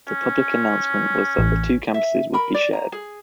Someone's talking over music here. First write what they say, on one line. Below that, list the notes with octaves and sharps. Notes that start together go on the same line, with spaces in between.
The public announcement was that the two campuses would be shared.
C#4
A1
E5
A#4 B5
D5
A#5
G#4